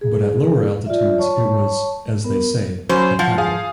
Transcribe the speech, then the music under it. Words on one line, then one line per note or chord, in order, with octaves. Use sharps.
But at lower altitudes it was, as they say, 'a cow'.
G#4
F4 D5 E5
C#5 A5 C#6
B3 A#4
F#3 C#4 C5
F3 F#5
G#4 F5